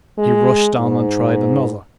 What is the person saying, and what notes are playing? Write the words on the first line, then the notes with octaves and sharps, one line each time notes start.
He rushed on and tried another.
G#3
G#2